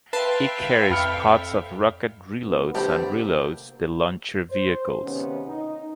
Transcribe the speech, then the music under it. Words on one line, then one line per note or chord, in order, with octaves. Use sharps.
It carries pods of rocket reloads and reloads the launcher vehicles.
B4 E5 F5 G5 A5 C6
F2 B5 F6 C#7
B2 D3 B3
A3 C4 G4 B5
C3 A#3
C5
C#2 C3 D#3 B3 C#4
D#4